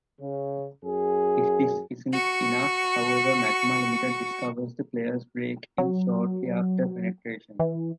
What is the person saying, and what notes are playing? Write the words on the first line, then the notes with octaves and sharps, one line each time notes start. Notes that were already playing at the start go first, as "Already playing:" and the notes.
If this isn't enough, however, Magma Limited discovers the player's break-in shortly after penetration.
C#3
F#2 G#4
F#4 C#6
F#3
E3